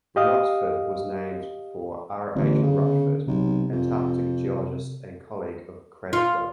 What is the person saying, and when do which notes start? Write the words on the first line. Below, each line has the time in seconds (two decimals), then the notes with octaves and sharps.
Rutford was named for R. H. Rutford, Antarctic geologist and colleague of Craddock.
0.16 G4 D#5 F5 D#6
2.35 A1 D3 B3
2.63 C#3
3.27 B1 C3
3.72 F2
6.13 F4